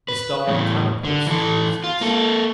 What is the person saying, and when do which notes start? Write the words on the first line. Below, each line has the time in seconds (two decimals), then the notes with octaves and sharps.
The star Canopus proves this.
0.08 B4
0.48 E2 A2
1.05 D3
1.27 E3 A4
1.84 F4
2.01 A#3 A4